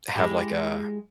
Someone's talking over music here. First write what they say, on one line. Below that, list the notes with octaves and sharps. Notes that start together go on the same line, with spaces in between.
to have, like a
G#3 E4 G4